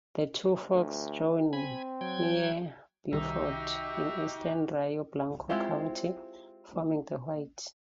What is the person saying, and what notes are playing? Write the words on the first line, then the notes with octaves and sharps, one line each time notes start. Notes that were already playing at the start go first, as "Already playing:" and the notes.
The two forks join near Buford in eastern Rio Blanco County, forming the White.
D2
C4 G#5 B5
F#3 G5 G#6
C2 D#3 G3 D#4 F#4 G4 E5
G#3 C4 E4 F4 G4